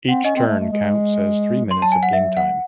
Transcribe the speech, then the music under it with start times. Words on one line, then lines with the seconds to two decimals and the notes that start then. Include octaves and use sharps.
Each turn counts as three minutes of game time.
0.08 C4 F#5
0.24 C#4 D#5
0.36 C4
0.47 A3
0.60 A3
0.72 G#3
1.65 F#3
1.71 C6
1.82 A5
1.92 G#5
2.03 F#5
2.13 E5
2.37 F#5